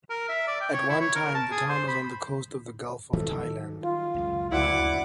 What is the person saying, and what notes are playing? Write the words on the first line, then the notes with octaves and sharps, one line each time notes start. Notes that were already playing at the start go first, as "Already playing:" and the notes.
At one time the town was on the coast of the Gulf of Thailand.
A#4
E5
D5
G5
C#5
E4
C#5
A#4
A5
G#4
C5
B5
D#3 F#3 G3 A4
F4
C#2 F#2
D2 E4 D5 F#5 D6